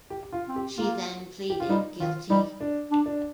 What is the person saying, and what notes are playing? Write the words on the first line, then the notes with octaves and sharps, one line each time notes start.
She then pleaded guilty.
G4
F4
C4
G4
A#3 F4
G4
F4
G3 D#4
D#3 F4
G3 D#4
D4
D4
D4